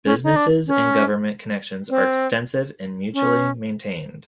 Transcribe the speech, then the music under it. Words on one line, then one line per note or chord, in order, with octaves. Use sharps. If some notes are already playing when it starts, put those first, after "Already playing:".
Business and government connections are extensive and mutually maintained.
C#4
D#4
D4
C#4
C4
C#4